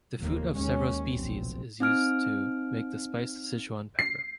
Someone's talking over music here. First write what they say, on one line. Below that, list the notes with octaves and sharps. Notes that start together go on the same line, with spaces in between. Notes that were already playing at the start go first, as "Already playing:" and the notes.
The fruit of several species is used to make the spice Sichuan pepper.
F1 D#2 A#3
D#2 G#3 C#4
F1 B1 A#2 C4
C4 D#4 F6 D7
C7